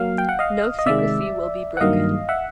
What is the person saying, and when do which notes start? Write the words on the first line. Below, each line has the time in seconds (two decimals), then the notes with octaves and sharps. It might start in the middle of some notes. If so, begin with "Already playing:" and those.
No secrecy will be broken.
Already playing: F#3 A#3 F5
0.18 G5
0.29 F#5
0.39 D#5 F5
0.79 D#5
0.86 C3 D#3 G#3 D5 E5
1.77 F#5
1.81 G2 D#3 F#3 A#3 D#5 F5
2.29 E5 F#5